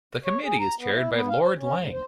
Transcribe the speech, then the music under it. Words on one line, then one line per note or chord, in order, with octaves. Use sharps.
The committee is chaired by Lord Lang.
C#5
G#4
A#5
B3
E4
B3
F5
C5
C#4
G#2
C5